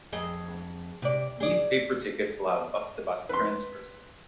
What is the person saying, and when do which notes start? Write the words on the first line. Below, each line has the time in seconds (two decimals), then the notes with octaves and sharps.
These paper tickets allowed bus to bus transfers.
0.13 F2 G#4 D#5
1.02 C3 D5
1.40 G#4 D5
3.29 B4 C6